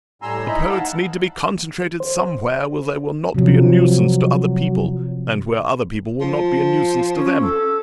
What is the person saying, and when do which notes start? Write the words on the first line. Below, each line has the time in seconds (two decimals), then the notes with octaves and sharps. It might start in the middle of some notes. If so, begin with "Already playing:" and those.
The poets need to be concentrated somewhere where they will not be a nuisance to other people, and where other people will not be a nuisance to them.
0.22 A2 G3 G#5 A#5 C6 E6
0.47 D#4 E4 D#5 A#5 B5
0.69 F5 F#5 A5 E6
2.00 C5
3.35 C3 F3 F#3
6.21 F3
7.15 C#4
7.42 A4